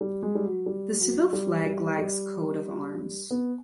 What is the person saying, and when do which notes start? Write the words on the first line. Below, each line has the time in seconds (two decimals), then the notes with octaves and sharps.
The Civil flag lacks Coat of Arms.
0.01 G3
0.23 G#3
0.35 G3
0.45 F#3
0.66 G3
1.00 F#3
1.33 G3
1.66 G3
1.99 G3
3.31 B3